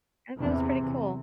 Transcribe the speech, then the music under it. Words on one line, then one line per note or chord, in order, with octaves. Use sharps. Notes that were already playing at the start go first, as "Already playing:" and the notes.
and that was pretty cool.
E2 C3 E3